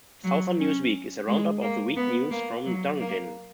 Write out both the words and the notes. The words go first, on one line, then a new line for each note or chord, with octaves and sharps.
"Southern News Week" is a roundup of the weeks news from Dunedin.
F#3
C#4
G#3
A#3
B3
A#3
F#3
A#3